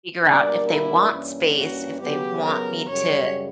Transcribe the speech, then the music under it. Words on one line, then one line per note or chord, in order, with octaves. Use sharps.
to figure out if they want space, if they want me to
B2 G3 A#3 D4 A#4 D5
E4
G2 E3 A#3 C#4
F#4
C#3 F#3 B3 G4
A#4
F#2 C#3 G3 C#5